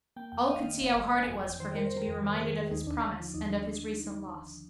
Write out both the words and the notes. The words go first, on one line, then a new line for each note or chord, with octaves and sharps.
All could see how hard it was for him to be reminded of his promise and of his recent loss.
A#3 G5
F2 G5
F5
A#3 D#5
F5
D#3
G1
G1
A#3
G#5
F2
G#5
F2 G5
D#3 C5
D#3 A#4
C5
D#3
A#4
F2
D#3
D#3 G#4
D#3 G#4
D#2 D#4
D#2 D4
D3
F3
D#2 D#4
D#2